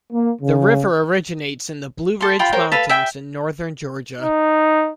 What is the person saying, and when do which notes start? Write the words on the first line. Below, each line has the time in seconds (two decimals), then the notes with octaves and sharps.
The river originates in the Blue Ridge Mountains in northern Georgia.
0.13 A#3
0.42 C#3
2.21 A4 C6
2.39 F4 G5 B5 C6
2.53 A#4 C5 C#5 G5
2.72 A4 B4 F5
2.89 E5 G5 G#5
4.21 D#4